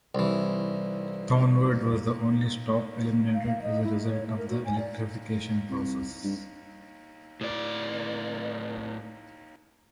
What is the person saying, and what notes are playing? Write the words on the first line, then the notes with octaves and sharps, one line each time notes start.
Thornwood was the only stop eliminated as a result of the electrification process.
C2 E3
F5
F5
D#5
E4
C#5
A3
A#4
F#4
G#5
D5
C2
G2
A2 D5